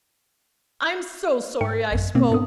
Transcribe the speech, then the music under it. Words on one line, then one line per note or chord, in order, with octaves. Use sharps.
I'm so sorry I spoke.
G#2 A#4 G5 C#7
A1 F#2
B2 A#3 C4
G#2 B3 D4 D#6